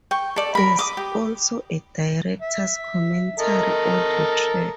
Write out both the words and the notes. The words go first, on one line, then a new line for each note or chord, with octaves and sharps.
There is also a director's commentary audio track.
G5 C#6
A4 D5
A#4 B5
D6 D#6
G4
E5
A4 A#4 D#5